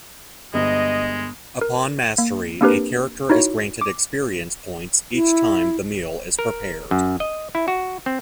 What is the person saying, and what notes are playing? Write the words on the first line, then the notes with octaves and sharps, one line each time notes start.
Upon mastery, a character is granted experience points each time the meal is prepared.
G1 G#3 D#5
A#4
A#3
A#3 C4 D4 G4 A#4 B4
D#4 E4 F#4 C#5
D6
E4
A#4
F#2
D#5
E4
F#4
C4